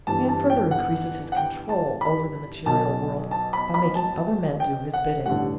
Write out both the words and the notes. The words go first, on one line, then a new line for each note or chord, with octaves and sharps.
Man further increases his control over the material world by making other men do his bidding.
G1 G2 E3 A5
A5
G5
F#5
F#5
G5
A5
B5
B1 B2 A5
A5
B5
B5
A5
G5
F#5
A1 G2 D3 F#5